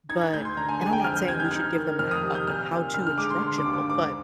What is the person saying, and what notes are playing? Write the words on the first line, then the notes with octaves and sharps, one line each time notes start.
but and I'm not saying we should give them an ha uh, a "how-to" instructional, but
D#4 G#6
G#6
D2 G6
C6
D3 A#5
G#5
G#3 G#5
G5
F2 F6
G6
C3 G#6
G6
D#4 F6
D#3
F2 F6
D#6
C3
G6
A#2 F6
A#2
D3 F6
F6
G#3 D6
C6
D3 C6
D6
D#2
D6
G#2 D6